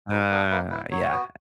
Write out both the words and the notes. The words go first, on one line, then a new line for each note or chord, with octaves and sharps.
Uh, yeah.
F#3 B4
B3 D4 A#4
A#3 B4
E4 B4
F#3 C#5
B3 F#4